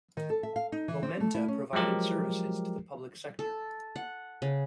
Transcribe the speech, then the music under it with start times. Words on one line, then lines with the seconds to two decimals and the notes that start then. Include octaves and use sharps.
Momenta provided services to the public sector.
0.17 D#3
0.30 A4
0.43 E5
0.56 F5
0.72 D#4
0.88 E3
1.03 C4
1.20 A3
1.35 E4
1.48 C#4
1.73 F3 F#3 G#3 G4 A#4
3.39 A4
3.96 F#5
4.42 C#3